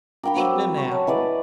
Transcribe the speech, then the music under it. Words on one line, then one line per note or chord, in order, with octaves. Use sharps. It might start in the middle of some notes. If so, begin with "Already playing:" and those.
"Eatin' 'n apple."
D4 A#4 F5 G5 B5
F#3 C5 D6 E6
C4
C#6
C#5 A5
E3 B4 D5 D#5